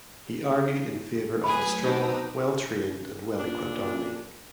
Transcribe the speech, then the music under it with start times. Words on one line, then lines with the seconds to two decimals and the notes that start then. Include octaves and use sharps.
He argued in favour of a strong, well-trained and well-equipped army.
1.44 F#3 A3 G#4 B4 B5
1.83 C4 D4 D#4 A#5 D#6 E6
3.39 A#2 D4